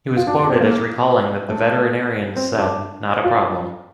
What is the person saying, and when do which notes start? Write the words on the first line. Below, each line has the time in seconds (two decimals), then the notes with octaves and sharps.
He was quoted as recalling that The veterinarians said, 'Not a problem.
0.17 F4
0.27 D4
0.39 D4
0.50 C4
0.61 A#3
1.49 A3
2.36 C4
2.58 D4
3.24 F4